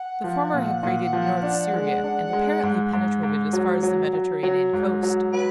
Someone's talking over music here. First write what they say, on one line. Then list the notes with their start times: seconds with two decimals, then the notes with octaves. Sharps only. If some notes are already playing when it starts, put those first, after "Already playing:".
The former had raided North Syria and apparently penetrated as far as the Mediterranean coast.
Already playing: F#5
0.24 F3
0.54 A#2
0.83 A#2
1.13 F3
1.43 D4
1.73 G#3
2.04 D4
2.33 G#3
2.63 G#2
2.93 G#2
3.23 G#2
3.53 F#3
3.83 F#3
4.13 F#3
4.43 F#3
4.73 G#2
5.03 F#3
5.33 F#3 B4